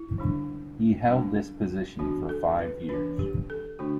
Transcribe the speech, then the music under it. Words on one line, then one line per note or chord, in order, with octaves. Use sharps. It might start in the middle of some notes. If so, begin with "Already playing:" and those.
He held this position for five years.
Already playing: E4
D3 G3 D4
G3 B3 D4
E3 B3 D4 F#4
A4
B4
E3 B3 D4 B4
G4
A4
D3 A3 D4 F#4